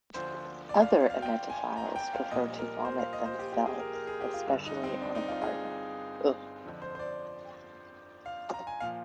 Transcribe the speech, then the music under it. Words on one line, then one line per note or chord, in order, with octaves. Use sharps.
Other emetophiles prefer to vomit themselves, especially on a partner.
D2 D3 F3 C5
D5
F5
F5
G5
G#5
A#5
G5
F5
A#1 A#2 G3 D#5
A#4
C5
F5
D#5
C5
G4
G4
G#4
A#4
A#4
G#4
G4
F4
G1 G2 D3 F4
D#4
C4
D4
D#4
F4
G#4
F2 D3 F3
C5
C5
D5
F5
A#5
G#5
A#2 F3 F5